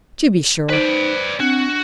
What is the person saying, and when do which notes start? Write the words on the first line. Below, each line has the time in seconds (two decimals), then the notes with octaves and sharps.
'To be sure!
0.70 D#4 B4 C5 D5
1.40 C4 D4 F#4